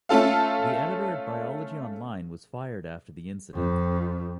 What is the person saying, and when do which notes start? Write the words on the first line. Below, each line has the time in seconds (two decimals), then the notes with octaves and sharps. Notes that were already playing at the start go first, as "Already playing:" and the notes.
The editor at Biology Online was fired after the incident.
0.09 A3 C#4 F4 A4 F5
3.54 F2